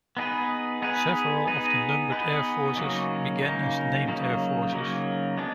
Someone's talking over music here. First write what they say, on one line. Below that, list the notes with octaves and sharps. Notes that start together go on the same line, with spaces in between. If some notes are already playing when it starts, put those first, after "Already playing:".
Several of the numbered air forces began as named air forces.
B3 D#4 G#4 B4
B3 D#4 G#4 B4
B3 D#4 G#4 B4
B3 D#4 G#4 B4
C#3 F#3 A#3 D#4
C#3 F#3 A#3 D#4
C#3 F#3 A#3 D#4
C#3 F#3 A#3 D#4
G#3 B3 D4